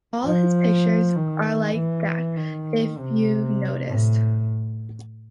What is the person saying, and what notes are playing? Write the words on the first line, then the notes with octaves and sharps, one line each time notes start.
All His pictures are like that, if you’ve noticed.
F3
D#3
E3
D#3
C3
A2